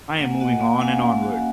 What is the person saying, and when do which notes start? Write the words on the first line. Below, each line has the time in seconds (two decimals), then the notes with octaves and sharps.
I am moving on and onward.
0.19 A#3 F#5
0.30 G#5
0.40 F#4 D#5 F#5
0.61 A#3
0.77 F#5
0.81 C#4 F5 G#5
1.02 A#3
1.23 F#4